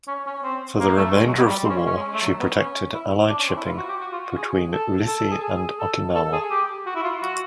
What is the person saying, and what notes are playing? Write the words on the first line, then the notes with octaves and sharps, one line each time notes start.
For the remainder of the war, she protected Allied shipping between Ulithi and Okinawa.
C#4
C#4
C4
A#3
A3
G#3
F#3
G3
G3
C4
C#4
C#4
G#3
A3
F#3
B3
C#4
E4
D4
C#4
C4
E4
F4
F#4
G4
F#4
F4
F#4
G#4
A4
A4
A4
G#4
G#4
A4
A4
G#4
G4
F#4
E4
F4
F#4